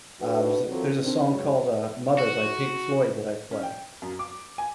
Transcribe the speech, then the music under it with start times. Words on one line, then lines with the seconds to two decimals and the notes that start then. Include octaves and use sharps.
uh, there's a there's a song called, uh, "Mother" by Pink Floyd that I play,
0.21 D4 F#4 A4 B4
0.69 E3 F#3 C4 F4 A4
1.00 D#3 C4 D4
1.30 F#2 F#3 G#3 C#4 C#5
2.19 F#4
3.51 C#4
3.63 G5
4.02 F#2
4.19 D6
4.58 G#5